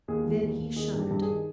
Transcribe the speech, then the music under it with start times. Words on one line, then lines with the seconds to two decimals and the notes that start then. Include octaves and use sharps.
Then he shuddered.
0.08 D#2 G#4
0.25 E3
0.31 G#4
0.43 D#2
0.59 D#2
0.76 D#3 G#4
0.94 G2
0.99 G4
1.11 G2
1.22 G#4
1.28 D#3